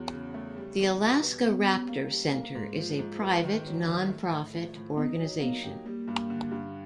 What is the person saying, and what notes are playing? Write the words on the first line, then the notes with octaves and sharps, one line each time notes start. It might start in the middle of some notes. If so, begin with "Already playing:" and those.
The Alaska Raptor Center is a private, nonprofit organization.
Already playing: E2 F#3
C#3
A3
G3
E2
B2
B3
B3 C#4
G3
A#3
G3
A#3
G#2
F3
G#2
B3
D#3
F#3
D#3
A3
A2
F3
A2
B3 D#4
F#3
A#3 B3
G4
G3 A#3
G2
D3
G2